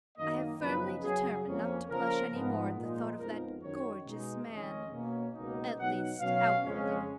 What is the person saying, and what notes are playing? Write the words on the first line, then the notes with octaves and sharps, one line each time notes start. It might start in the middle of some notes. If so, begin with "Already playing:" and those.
I have firmly determined not to blush any more at the thought of that gorgeous man--at least outwardly.
F#2 D#3 A#3 D#5
F#2 C#3 F3 B3 D#4 B4
F#2 C#3 F#3 C#4 G#4
F2 F3 A#3 C#4
C#3 F3 A#3 C#4 A#4
G#2 F3 B3
A#2 F3 G#3 D#4
F2 F3 G#3 B3 D#4 A#4
F#2 D#3 F#3 C#4 C#5
B2 G#3 D#4
F2 D#3 G#3 C#4 D#5
B2 A#3 C#4
C#2 B2 A#3 D#4
B2 F#3 B3 D#4 F#5
B2 F#3 C#4 F5
F2 C#3 G#3 C#4